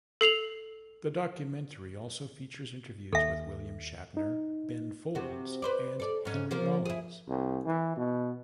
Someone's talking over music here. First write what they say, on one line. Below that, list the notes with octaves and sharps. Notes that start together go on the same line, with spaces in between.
The documentary also features interviews with William Shatner, Ben Folds, and Henry Rollins.
A4 C7 F7 F#7
D#2 A4 E5
D#4
C3 F#4
B4 C5 D5
A4 D5
G#2 C#4
F3 A#3 A#4
E4 G#4
C2
E3
B2